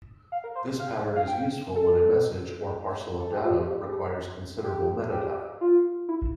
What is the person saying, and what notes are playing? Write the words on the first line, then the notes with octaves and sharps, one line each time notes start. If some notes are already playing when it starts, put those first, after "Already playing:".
This pattern is useful when a message, or parcel of data, requires considerable metadata.
F5
A#4
C5
F5
F5
G5
A4
A4
G4
F4
G4
G4
G4
F4
E4